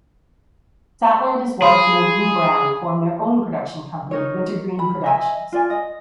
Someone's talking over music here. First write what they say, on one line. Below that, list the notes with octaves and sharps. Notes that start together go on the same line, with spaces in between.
Sattler and his wife Noeline Brown formed their own production company Wintergreen Productions.
G#4 F5 B5 C6
D#4 A#4 C#5
B5
D#5 E5 G#5
F4 D5 G#5
D#5